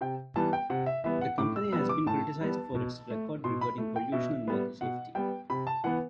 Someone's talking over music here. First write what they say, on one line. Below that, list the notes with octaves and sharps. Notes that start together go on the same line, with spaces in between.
The company has been criticized for its record regarding pollution and worker safety.
C3 G5
E3 G3 B3 A5
G5
C3 F#5
E5
E3 G3 B3 E5
F#5
A2 D6
E6
G3 B3 E6
D6
A2 A5
G3 B3
B2
A3
B2 C6
B5
A3
G5
B2 E5
G3 B3
B2 F#5
G3 B3 G5
C3 B5
A5
E3 B3 F#5